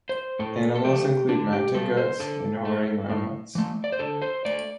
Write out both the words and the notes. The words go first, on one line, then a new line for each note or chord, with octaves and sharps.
Animals include mountain goats and hoary marmots.
C5
A2 A4
A4
A3 G4
D3 D4
G4
G3 A4
C5
D3 A4
A3
A2
E3 A3
D5
C5
D3 A4
C5
A3 D5